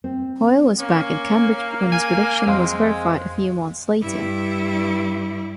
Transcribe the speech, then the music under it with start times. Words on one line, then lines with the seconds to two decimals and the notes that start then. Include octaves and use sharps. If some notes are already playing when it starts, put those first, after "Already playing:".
Hoyle was back in Cambridge when his prediction was verified a few months later.
0.04 C4
0.80 A#3 C#4
1.92 G#5
2.47 F2 G#3 C4 F5 C6
4.02 G2 E4